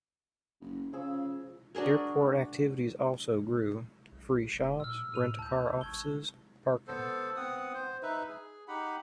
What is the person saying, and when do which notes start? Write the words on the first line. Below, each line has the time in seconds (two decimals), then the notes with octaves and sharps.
Airport activities also grew: free shops, rent-a-car offices, parking.
0.61 F#1
0.93 C#3 F3 G#4 E6
1.75 D4 F#4 G#4 A#4
4.12 B1
4.53 F1
4.80 A#2 E6 F6
5.12 A2 F6 D#7 F7
5.39 D2 A5 G6
5.81 A1 C#6 G#6 G7
6.87 B3 A4 C5
7.36 B3 C4 F#5 D#6
7.74 C5
8.03 D#4 B4 E5
8.28 G#4
8.68 D#4 G4 F#5 B5